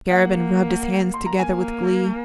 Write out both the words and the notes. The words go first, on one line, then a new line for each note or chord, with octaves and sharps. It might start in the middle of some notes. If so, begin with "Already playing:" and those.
Garabin rubbed his hands together with glee.
A#3 F#5
C6
A#5
A#3 G#5